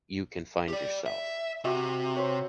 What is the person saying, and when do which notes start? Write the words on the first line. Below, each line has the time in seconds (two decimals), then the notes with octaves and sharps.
You can find yourself.
0.68 G4 D5
1.06 E5
1.64 C3 F#4 E5
2.16 C5 C#5